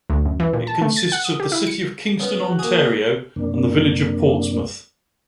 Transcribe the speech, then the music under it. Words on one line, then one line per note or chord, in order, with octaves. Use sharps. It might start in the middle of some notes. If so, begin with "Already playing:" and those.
It consisted of the city of Kingston, Ontario, and the village of Portsmouth.
D2
F#2
E3
A#2
A5
A3
A6
F#5
D#6
G4
E4
C#7
C#3 B3
F#4
A#3 G#4
F#2 C3 A#3 D4